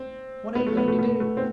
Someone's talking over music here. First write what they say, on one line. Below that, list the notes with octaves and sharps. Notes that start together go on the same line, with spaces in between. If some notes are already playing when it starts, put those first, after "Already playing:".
"What are you going to do?"
Already playing: C4
B3
A3
B3
A3
B3
A3
C4